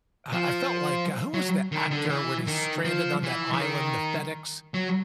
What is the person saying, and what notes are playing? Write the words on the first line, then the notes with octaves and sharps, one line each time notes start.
uh, I felt like, uh, who was the actor when he's stranded on that island, the FedEx,
F3
F#3
D#3
D3
E3
D#3
F3
E3
E3
D#3
F#3